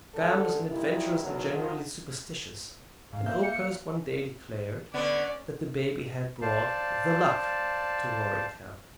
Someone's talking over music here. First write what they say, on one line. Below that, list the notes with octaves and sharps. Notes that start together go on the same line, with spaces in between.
Gamblers and adventurers are generally superstitious, and Oakhurst one day declared that the baby had brought "the luck" to Roaring Camp.
D3 G#3 A4
A#2 D#3 G3 E4
E2 B2 D#3 F#3
F3 F#3 C4 C#4 D#4 F4
G#2 F5
A#3 E5 G6
C#7
D3 B3 C#4 D5
C5 D5 F5 A5